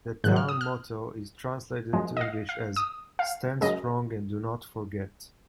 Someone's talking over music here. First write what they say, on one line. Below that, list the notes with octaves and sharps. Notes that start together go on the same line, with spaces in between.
The town motto is translated to English as: "Stand strong and do not forget".
G#2 D#3 F#3 F#6
F6
D#6
F6
F#2 F3 G#3
D#5
F5
F5
D#6
F5
F#2 C#3 G#3 D#5